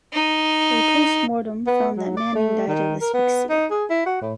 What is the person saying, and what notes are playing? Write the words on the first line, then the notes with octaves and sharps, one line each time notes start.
A postmortem found that Manning died of asphyxia.
D#4
B3
F#3
D5
A3
D#3
A#4
B3
D#4
G#4
E4
F#4
A2